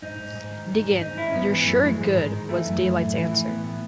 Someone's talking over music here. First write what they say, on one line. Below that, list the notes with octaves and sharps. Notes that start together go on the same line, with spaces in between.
Dig in; you're sure good, was Daylight's answer.
G#2 D#4
G#2
G#2
D#3
D#3
G#2
G#2 D#4
D#3 E4
C#4
G#2 B3
E3 B3
F#2 A3
E3 G#3
G#2 G#3
G#2
D#3
E3 A3
F#2
F#2
A2
E3
E3
A2 B3
A2